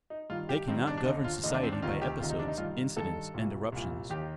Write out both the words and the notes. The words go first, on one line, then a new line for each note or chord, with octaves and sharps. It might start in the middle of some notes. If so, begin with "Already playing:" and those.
They cannot govern society by episodes, incidents, and eruptions.
D#4
G2 D#3 F4
G4
G2 D#3 C4
D4
D4
D#2 D3 D#4
F4
D#2 D3 D#4
D4
C4
D4
D2 C3 D#3 F4
G4
D2 C3 D#3 F4
D#4
D4
D#4
G2 D#3 F4
G2 D#3 A4
C2 A#2
C2 A#2
D#2 D#3 G4